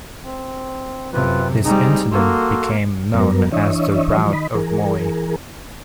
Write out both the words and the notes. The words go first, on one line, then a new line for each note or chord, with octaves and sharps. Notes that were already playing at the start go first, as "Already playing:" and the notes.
This incident became known as the "Rout of Moy".
C4
F#2 C3 C4 F4 B4
G3 C4 D#4 G#4 A#5
A#3 F#4 A4 C6
F#2 F#3 B3 A#4
E3 D4 C#5 D#5 E5
E3 F3 G3
D#3 D#5 B5
E3 G#4 A#4